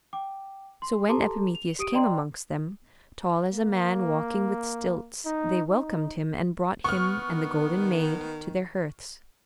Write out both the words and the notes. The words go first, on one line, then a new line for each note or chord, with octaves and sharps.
So when Epimetheus came amongst them, tall as a man walking with stilts, they welcomed him and brought him and the Golden Maid to their hearths.
G5 D6
C6
G4 A4 A5 A#5 C6 D6
F7
G4 D#6 D7 D#7
D5 D#5 G5 A#5 C6
A#3
D#4
D#4
B3 C#6 F6
D#3